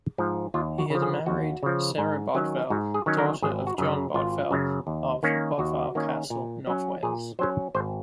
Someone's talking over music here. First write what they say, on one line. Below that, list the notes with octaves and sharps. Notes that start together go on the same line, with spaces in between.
He had married Sarah Bodvel, daughter of John Bodvel of Bodvile Castle, North Wales.
G#2 F3
D#2 F4
F#4
C#3 F3
G#4
D#2 F#4
C#3 F3
G#2
D#3 F#3 C#4
G#2 F#4
G#4
D#3 F#3 C#4
A#4
G#1 G#4
F#4
F#2 C#3
G#1 F4
F#2 C#3
D#2
D#3 A#3 C#4
D#2 F#4
D#3 A#3 C#4
A#2
F#3 C#4
A#2 G#4
F#3 C#4 C5
G#1 C5